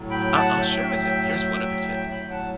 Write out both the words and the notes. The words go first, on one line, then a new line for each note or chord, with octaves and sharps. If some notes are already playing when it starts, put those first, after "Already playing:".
I'll I'll share with ya, here's one other tip,
Already playing: A2 F#3
G5 B5
F#5 A5
E5 G5
G5 B5
F#5 A5